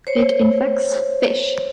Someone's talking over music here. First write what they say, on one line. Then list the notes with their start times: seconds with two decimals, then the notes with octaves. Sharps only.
It infects fish.
0.07 C5 C#5